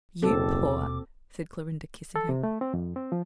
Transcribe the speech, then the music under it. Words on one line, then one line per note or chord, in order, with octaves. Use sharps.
"You poor!" said Clorinda, kissing her.
F#1 D#2 B2 C4 A4 D6
A4
C3
A3
C4
F2
C4
F3